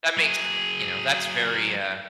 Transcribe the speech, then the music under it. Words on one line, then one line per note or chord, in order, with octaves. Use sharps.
that makes you know, that's very, uh,
F#3 G#4